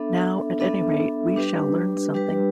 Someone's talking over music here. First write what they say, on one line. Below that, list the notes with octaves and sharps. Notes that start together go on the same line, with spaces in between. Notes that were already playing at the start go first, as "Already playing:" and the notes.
Now, at any rate, we shall learn something.
Already playing: B3 D4 A4 E5
B3 D4 A4 E5
G3 D4 G4 B4
G3 D4 G4 B4